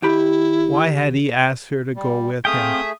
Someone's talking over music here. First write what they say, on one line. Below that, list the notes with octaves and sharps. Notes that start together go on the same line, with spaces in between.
Why had he asked her to go with him?
D#2 E4 G4 B5
G3
A3 C4 G#4 E5 F5 G5 D#6